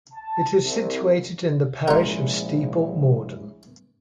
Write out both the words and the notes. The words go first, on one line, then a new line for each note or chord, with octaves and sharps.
It is situated in the parish of Steeple Morden.
A5
C2
A#1 G#3 C#4 E4 F4 A#4